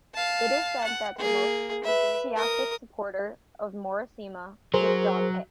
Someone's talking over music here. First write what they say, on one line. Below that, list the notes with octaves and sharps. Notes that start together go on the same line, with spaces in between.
It is said that the most enthusiastic supporter of Morishima was John Hicks.
F5 A5
F#5
A#3 G#4
B4 E5
A#4 D#6
F#3 G#4 A#4 C5